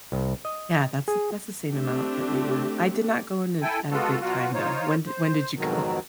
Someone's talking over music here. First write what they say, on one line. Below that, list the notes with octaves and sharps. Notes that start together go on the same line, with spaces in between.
Yeah, that's th that's the same amount that we were I did not go in a at a good time, though, when d when did you go?
C2
D#5
G#4
A3 C4 D4 G4
E4 A4 G5 G#5
G#3 B3 F4 F#4 A4
B2 F#3 F4 F#4
D#4 F4 C5 C#5
C5
F2 G#2 B2 D#3 F#3